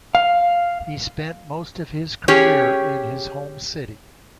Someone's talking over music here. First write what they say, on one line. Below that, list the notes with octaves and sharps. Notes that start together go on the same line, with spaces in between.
He spent most of his career in his home city.
F5
C#4 G4 G#4 C#5